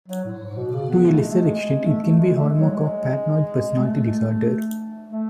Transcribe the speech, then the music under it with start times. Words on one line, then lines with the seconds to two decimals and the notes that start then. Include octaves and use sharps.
To a lesser extent, it can be a hallmark of paranoid personality disorder.
0.08 F#3
0.24 A2
0.41 G#2
0.57 B2
0.73 C#3
0.89 B3
1.06 A3
1.21 G#3
1.31 A3
1.41 G#3
1.86 A3
2.03 A3
2.18 G#3
2.35 A3
2.51 G#3
2.60 F#3
2.70 G#3
3.81 A3
5.10 A3